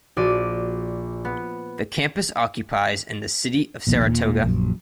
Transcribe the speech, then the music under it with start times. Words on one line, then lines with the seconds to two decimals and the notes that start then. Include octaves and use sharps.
The campus occupies in the city of Saratoga.
0.17 A#1 D#4 F#4 A#4 D5 D#7
1.25 B3
3.87 A#1 D#2 B2
4.07 D#1 A#2
4.43 A#1 F#2